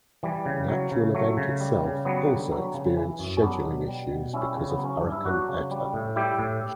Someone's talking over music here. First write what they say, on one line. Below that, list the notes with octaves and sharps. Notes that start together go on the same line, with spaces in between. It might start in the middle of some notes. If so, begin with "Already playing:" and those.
The actual event itself also experienced scheduling issues because of Hurricane Eta.
E3 G3
C#3
F#3
C#3
F#3 A3
C#3
G3
C#3
F#3 G3 B3
D3
F#3
C#3
E3
F#2
C#4
F#3 B3 D4
B2
G3
B2
G3 C#4 E4
C#3
B3
F#3
C#4
G2 D4
E4
F#3 D4 F#4
C#3
G3
A2
G3 E4 G4
A2